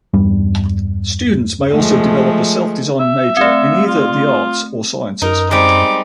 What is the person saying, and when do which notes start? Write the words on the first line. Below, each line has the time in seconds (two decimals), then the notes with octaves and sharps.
Students may also develop a self-designed major in either the arts or sciences.
0.14 E2 G2 G3
1.72 F3 G#3 A3
3.00 E5
3.37 A3 C4
3.87 F4
5.22 F#2 D#4 A#4
5.51 G3 G#3 C4 D#4 D6